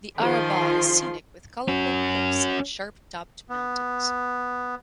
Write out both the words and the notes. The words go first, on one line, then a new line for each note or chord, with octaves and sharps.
The Arabah is scenic with colorful cliffs and sharp-topped mountains.
D#3 F3 F4 G#4 C6
C#4 F#4
B3